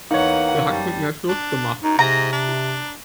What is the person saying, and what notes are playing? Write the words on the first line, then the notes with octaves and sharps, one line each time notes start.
Sie hat mit mir Schluss gemacht.
E2 A#3 D#4 B4 C#5 F#5
F#2 G3 A5
D4
F#2 D#4
G#2 C3 A#5
D4